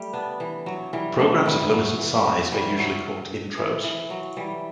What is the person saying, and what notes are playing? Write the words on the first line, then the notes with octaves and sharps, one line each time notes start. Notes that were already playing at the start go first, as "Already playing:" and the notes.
Programs of limited size are usually called intros.
Already playing: G3 A3
B3 D4
E3
F#3
E3 G3
F#3 A3
E3 G3
F#3
E3
G3
F#3
E3 G3
F#3
E3
E3
F#3
E3 G3